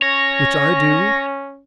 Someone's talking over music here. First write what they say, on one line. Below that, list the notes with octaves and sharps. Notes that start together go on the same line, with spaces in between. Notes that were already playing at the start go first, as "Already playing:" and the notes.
"Which I do."
C#4 C#5 A#6